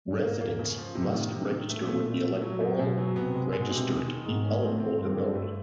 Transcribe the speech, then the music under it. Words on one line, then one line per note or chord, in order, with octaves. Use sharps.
Residents must register with the electoral register to be eligible to vote.
G#2 A#3
A#3
C#3
F3
A2 C3
D#3
C3
D#3
A#2 A3
A3
A3
A3
F#3
F#2
F#2 B2
F#3
C3 B3
G#3
B2 G#3
C3
G#3
D#3
G#2 D#3
C#4
A2 C4
C4
G2 C4
D3
A3